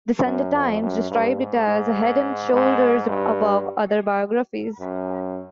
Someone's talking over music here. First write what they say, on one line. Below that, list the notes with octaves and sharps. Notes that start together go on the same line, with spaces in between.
"The Sunday Times" described it as "head and shoulders above" other biographies.
F#2
F2
F#2
G2
G#2
G#2
G#2
G2
F#2